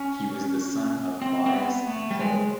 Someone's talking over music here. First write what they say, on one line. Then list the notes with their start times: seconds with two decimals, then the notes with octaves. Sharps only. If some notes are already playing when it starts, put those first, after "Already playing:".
He was the son of Bias and Pero.
Already playing: C#4
1.22 C4
1.46 C4
1.55 B3
1.87 A3
2.11 G3
2.20 G#3